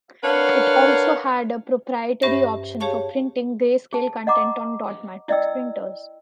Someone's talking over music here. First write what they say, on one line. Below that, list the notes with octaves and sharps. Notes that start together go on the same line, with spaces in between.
It also had a proprietary option for printing grayscale content on dot matrix printers.
D4 A#4 B4 C#5 F5 F#5
G2 C#4 G4 C5 E5 A#6
G4 G#4 C#5 F5 A5 C#6
G#4 A5
D#5 F#5 A#5 D6
E4 D5 D#5 G5 E6